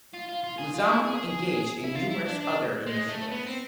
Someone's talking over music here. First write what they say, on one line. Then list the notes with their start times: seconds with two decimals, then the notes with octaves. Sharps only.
Lezama engaged in numerous other initiatives.
0.14 F4
0.29 F4
0.44 F4
0.58 G#4
0.74 F4
0.82 D4
0.88 E4
1.04 G#4
1.84 E4
1.95 F4
2.10 E4
2.25 D4
2.40 D4
2.86 G#3
3.08 A3
3.31 B3
3.46 C4